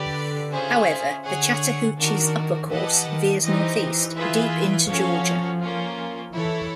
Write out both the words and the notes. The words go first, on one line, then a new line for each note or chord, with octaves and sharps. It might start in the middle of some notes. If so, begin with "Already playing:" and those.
However the Chattahoochee's upper course veers northeast, deep into Georgia.
Already playing: D3 G4 B4 D5
C#4 F4 G#4 C5 E5
D3 G#4 C#5 F#5
D#3 D4 F#4 A#4
E3 G4 B4 D#5 F#5 A5
D#3
E3 D#4 G4 C5 D#5
E3
F4 G#4 B4 E5
F3 C#4 F#4 A4 C#5 F5
A#3 C#4 F4
E3 E4 A4 C#5